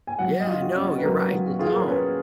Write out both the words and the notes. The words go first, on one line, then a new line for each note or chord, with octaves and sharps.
Yeah, no, you're right, they don't.
G#5
F#3 F#5
D#5
F4
F#4
C#4
F#4
B4
F#3 A#4
F#3
F#4
F4 G#4
A#4
C#4 B4